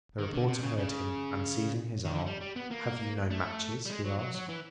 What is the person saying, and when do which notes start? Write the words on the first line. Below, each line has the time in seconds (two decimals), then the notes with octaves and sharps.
The reporter heard him and seizing his arm, "Have you no matches?" he asked.
0.19 D#3
0.33 D3
0.48 C3
0.63 C#3
0.78 C#3
2.05 D#3
2.11 D3
2.26 G3
2.41 G3
2.56 B3
2.71 A#3
3.31 A3
3.86 G3
3.90 G#3
4.04 F#3
4.19 F#3
4.34 F#3
4.49 E3